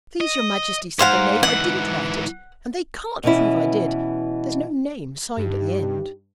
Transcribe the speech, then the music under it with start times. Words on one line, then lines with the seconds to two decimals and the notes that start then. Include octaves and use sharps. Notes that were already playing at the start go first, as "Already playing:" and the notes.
'Please your Majesty,' said the Knave, 'I didn't write it, and they can't prove I did: there's no name signed at the end.'
0.21 D#5
0.99 G#2 C5 F5 F#5
1.43 G#2 E3 F#5
3.24 B2 E3 C#4 E4
5.37 G2 D#4 G4